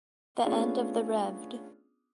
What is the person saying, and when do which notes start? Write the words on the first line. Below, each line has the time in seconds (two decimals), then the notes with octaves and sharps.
The end of the Revd.
0.45 A3 B3 C#4 D4 F4 G#4